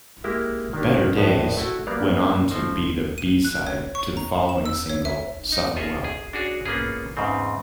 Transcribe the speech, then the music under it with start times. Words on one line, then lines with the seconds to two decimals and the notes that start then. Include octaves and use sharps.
"Better Days" went on to be the B-side to the following single, "Suffer Well".
0.24 G#3 A#3 E4 G4 A#4
0.73 D#3 A#3 D4 G4
1.17 A#1 A2 B3 D#5
1.57 A3 E4 F#4 G5
1.87 F#3 G3 A#3 B3 D5 F5
2.51 F3 A3 C5 D#5
3.18 D#7
3.45 F#6
3.67 C#5
3.95 C#6
4.17 A#5
4.49 E7
4.66 E6
4.89 C#5
5.05 E5
5.52 D#4
5.76 F4 G#4 C#5 D#5 E5
6.04 G#4
6.33 D4 F#4 G#4 C#5 D5
6.65 A#3 B3 C#4 F4 G#4
7.17 E2 G#2 C#3 C4